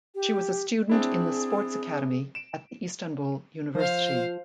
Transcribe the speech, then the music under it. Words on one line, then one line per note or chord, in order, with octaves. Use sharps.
She was a student in the "Sports Academy" at the Istanbul University.
G4
C4 D4 E4 G#4
D7 E7
F3 C5 F5